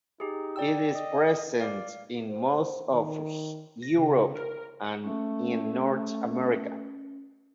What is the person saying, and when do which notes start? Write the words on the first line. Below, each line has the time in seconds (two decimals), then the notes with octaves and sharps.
It is present in most of Europe and in North America.
0.20 D#4 G4 G#4
0.56 D5 G5 E6
0.94 D#5
1.61 D5 F5
2.28 C5
2.91 D#3
3.82 A#6
3.98 C#3
4.35 A#4
4.84 F#5
5.04 A3 C#4